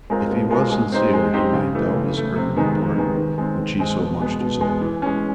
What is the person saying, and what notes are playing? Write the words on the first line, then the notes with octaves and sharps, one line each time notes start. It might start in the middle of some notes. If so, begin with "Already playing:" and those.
If he was sincere, he might doubtless earn the pardon which he so much desired.
G#3 C4 F4 A#4
B2
G#3 C4 F4 A#4
G#3
C4 D#4 G4 C5
G#3
C4 D#4 G4 C5
C#3
E3 A3
C#3
E3 A3
C3
D#3 G#3 B3 D#4
C3
D#3 G#3 B3 D#4
D#3
G#3 C4
D#3
G#3 C4
B2
G#3 B3
B2
G#3 B3
E3
G#3 C#4